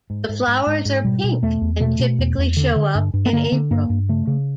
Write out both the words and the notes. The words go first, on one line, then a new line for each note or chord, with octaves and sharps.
The flowers are pink and typically show up in April.
G#2
G#2
G#2
G#2
G#2
B2 G3
B2
E2 A3
E2
B2 A3
B2
E2
E2
D3
D3
G2
G2
B3
D3 A#3
D3
G2 A#3
G2
C#3 A3
C#3